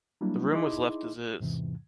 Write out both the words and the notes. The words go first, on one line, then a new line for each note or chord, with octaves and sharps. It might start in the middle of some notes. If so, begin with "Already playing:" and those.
The room was left as is.
F#3 G3 A#3 D4 E4
D#4 E4 G#4 D#5 C6 D6
E2 G#2 C3 E3